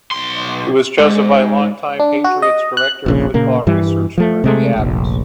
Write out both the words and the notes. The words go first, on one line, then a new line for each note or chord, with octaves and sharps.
He was chosen by long time Patriots director of football research Ernie Adams.
B1 C6
G#2
D4
F#4
D#5
F#6
F1 A#1 C#3
A#2 C#3 A#3
G2 E3 G3
F3 A3
C3 G#3 A3
F1 A#1